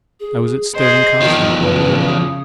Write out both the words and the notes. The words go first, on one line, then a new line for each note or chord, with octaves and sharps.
I was at Stirling Castle not long ago.
G#4
G#4 C5 D#5
E2 D#3 F3
C#3 B4
D#6